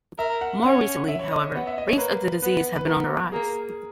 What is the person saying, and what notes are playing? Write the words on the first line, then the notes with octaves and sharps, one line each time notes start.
More recently, however, rates of the disease have been on the rise.
A#4 E5
F#5
C#4 F#5
E5
C#5
D#5
C#5
B3 F#5
E5
D#5
C#5
A#3 B4
B3 B4
B4
B3 A#4
A#3 G#4